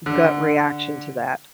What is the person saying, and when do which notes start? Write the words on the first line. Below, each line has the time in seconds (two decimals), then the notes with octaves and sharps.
gut reaction to that?
0.06 D3